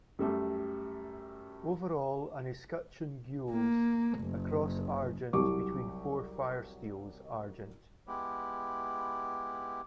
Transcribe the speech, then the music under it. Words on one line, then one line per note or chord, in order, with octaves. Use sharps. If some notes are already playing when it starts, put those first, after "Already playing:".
Overall an escutcheon Gules, a cross Argent between four firesteels Argent.
F#2 G3 A3
A#3
F#1
C2 F#3 G4 C#6 D6
G#3 B3 E4 G4